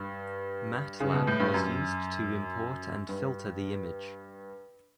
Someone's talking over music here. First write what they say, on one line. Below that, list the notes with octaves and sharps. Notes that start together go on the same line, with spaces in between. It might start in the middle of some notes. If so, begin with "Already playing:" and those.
Matlab was used to import and filter the image.
Already playing: G2
C#3
B2
A2
G2
F#2
G2